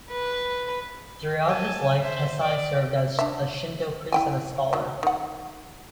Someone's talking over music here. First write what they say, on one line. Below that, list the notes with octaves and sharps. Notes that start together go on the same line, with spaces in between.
Throughout his life, Tessai served as a Shinto priest and a scholar.
B4
G#5 A5
C5 E5
D5
D4 E5
E4 G5 G#5
D#3 F#3
D#3 F#5